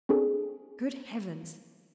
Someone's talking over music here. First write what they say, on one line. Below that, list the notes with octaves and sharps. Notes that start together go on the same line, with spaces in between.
Good heavens!
C4 D4 G#4 A4